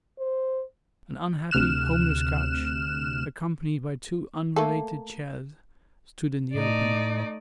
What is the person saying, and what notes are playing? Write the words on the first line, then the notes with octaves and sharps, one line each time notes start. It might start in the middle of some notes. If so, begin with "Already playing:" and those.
An unhappy, homeless couch, accompanied by two unrelated chairs, stood in the open.
C5
D2 C3 F6 F#6 E7
A3 A#3 A4
A2 A3 D#4 D5